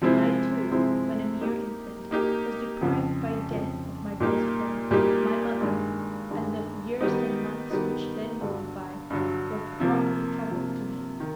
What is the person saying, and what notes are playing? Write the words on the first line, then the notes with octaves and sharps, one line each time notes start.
I, too, when a mere infant, was deprived by death of my best friend--my mother--and the years and months which then rolled by were fraught with trouble to me.
C3 F3 G#3 C4 E4
C3 F3 G#3 C4 E4
A#3 D#4 G4
A#3 D#4 G4
F2 C#3 F3
F2 C#3 F3
A#2 G3 A#3 D#4 G4
A#2 G3 A#3 D#4 G4
G2 D#3 G#3
G2 D#3 G#3
D#3 G3 B3 D#4
D#3 G3 B3 D#4
G2 D3 F#3
G2 D3 F#3
C3 F3 A#3
C3 F3 A#3
D#3